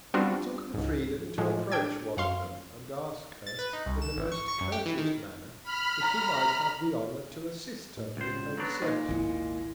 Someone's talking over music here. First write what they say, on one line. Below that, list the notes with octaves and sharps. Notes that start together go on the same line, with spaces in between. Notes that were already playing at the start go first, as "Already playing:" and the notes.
He took the Freedom to approach one of them, and ask her, in the most courteous Manner, if he might have the Honour to assist her in her Researches.
G3 B3 C4 D4 F4 F#4
C#2 G#2
A2 F3 G#3
D4 G5 G#6
F#2 F5 C6
A6
B4
D#4
C2
E7
G#1
C#6
C#6
F#2
G4
E3
D#3
B5 F6
A#5
A2
C#2 C5
F#3 B3 D4
A#2 G#3 D#4
G#1 D2 E4